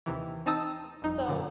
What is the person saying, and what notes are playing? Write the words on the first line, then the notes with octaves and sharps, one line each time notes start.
S so
D#2 C3 E3
C4 D#4 A5 D#6 E6
G1 F2 D#4
F#2 A#2 D3